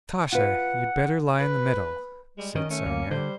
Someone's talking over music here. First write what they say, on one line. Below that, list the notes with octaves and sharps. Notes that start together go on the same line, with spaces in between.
"Natasha, you'd better lie in the middle," said Sonya.
F4 B4 F#5
B4
G3 G#3
D#3 C#4 D#5
A3 C#4
D2 A#3
D3 G3 C5